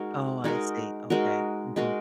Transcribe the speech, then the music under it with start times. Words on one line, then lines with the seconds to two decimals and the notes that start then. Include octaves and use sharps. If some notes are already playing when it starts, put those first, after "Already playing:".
Oh, I see. Okay. Mhm.
Already playing: G#3 D#4 F#4 A#4
0.44 G#3 D#4 F#4 A#4
1.10 G#3 D#4 F#4 A#4
1.76 G#3 D#4 F#4 A#4